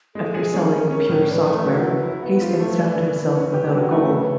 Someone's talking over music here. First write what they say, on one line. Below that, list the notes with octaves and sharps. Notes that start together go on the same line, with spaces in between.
After selling Pure Software, Hastings found himself without a goal.
G#3 A4
G#4
C#4
C#4 A#4
C#4
A2
D4 B4
A3
B4
F#3
A#4
E4 B4
E4
B4
B3
F4 C5
A3
B4
D4
E3
E3
C#4
G4
F#3
A3
C#3 B4